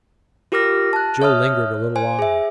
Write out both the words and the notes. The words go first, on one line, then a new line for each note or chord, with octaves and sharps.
Joe lingered a little longer.
F4 G4 A#4 D6 F6 A#6
A5 F#6
C#5 E5 D#6 F6
C5 G#5
G#4 E5